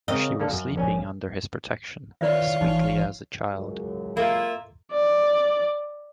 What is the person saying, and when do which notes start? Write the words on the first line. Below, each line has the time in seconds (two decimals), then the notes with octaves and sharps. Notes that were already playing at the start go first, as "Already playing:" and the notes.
She was sleeping under his protection as sweetly as a child.
0.08 C#3 C4 A#4 D#5
0.40 D3 A#3 A4
0.51 F#2
0.76 A#1 C#4 G#5
2.21 D#3 E4 F4 B4 C#5 D5 E5
2.61 A1 E3 D#4
3.54 C#2 F#2
4.17 A#3 E4 F4 E5
4.92 D5